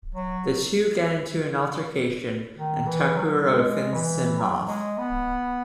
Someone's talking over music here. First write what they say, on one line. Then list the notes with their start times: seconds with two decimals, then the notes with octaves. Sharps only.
The two get into an altercation and Takuro fends him off.
0.15 F#3
2.57 D#3
2.87 E3
3.17 F#3
3.48 G#3
3.93 E3
4.39 F#3
4.68 G#3
4.98 B3